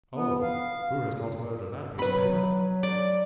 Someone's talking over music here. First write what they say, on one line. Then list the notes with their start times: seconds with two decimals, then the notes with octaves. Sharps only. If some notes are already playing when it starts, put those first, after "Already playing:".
"Oh--who has not heard of that newspaper?"
0.15 B3
0.42 F5
1.99 F#3 B4 B5
2.83 D5